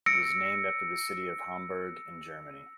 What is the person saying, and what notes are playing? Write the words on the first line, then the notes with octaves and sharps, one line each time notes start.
It is named after the city of Hamburg, in Germany.
E6 A#6 C#7 D7